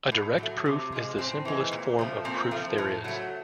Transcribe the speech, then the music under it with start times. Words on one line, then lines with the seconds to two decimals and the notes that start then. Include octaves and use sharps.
A direct proof is the simplest form of proof there is.
0.12 A2
0.38 F#3 A3
0.66 C3
0.92 F3 G#3
1.18 A2 C4
1.45 E3 G#3
1.71 A#2
1.99 F3 A3
2.25 A#2 C4
2.51 F3 A3
2.78 A2
3.04 F#3 A3